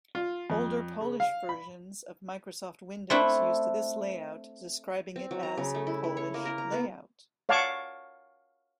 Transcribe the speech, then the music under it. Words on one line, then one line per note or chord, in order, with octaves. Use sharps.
Older Polish versions of Microsoft Windows used this layout, describing it as "Polish layout".
F4
F2
C#3
F5
B5
A3 C4 D4 E4
C4
F#3
A#5
C#3
A3
E4
E4
C#5
A#3
A#4
A#5
B3
C#5 F5 F#5 A5 C#6 D6